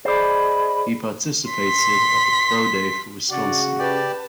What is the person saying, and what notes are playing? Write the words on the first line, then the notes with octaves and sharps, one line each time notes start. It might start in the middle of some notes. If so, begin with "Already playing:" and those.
He participated at the pro day for Wisconsin.
G#4 C5 D5 D#5 B5
C6 B6
C#3 F#4 D5 F#5
G4 B4 D5 A5